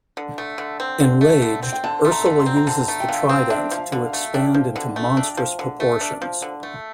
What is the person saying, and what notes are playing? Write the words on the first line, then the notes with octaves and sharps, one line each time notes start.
Enraged, Ursula uses the trident to expand into monstrous proportions.
D3
A3
D3
C4
D3
A3
D3
C4
G5
D3 A5
A3 C6
A#5
D3
C6
C4
A#5
D3 A5
A3
G5
D3 F5
C4
D4 E5
F3
F5
D3
F5
A3
D4 G5
F3
D3 A5
A3
D4
F3
D3
A3
D4
F3
D3
A3